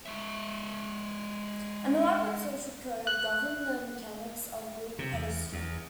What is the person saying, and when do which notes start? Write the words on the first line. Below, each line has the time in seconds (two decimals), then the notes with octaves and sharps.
An elaborate social code governed the mechanics of Greek pederasty.
0.06 G#3 E5
3.07 F#6
4.99 C3
5.13 E2
5.53 E2